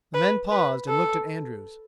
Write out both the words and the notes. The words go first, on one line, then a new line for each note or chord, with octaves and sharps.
The men paused and looked at Andrews.
B4
B4
A4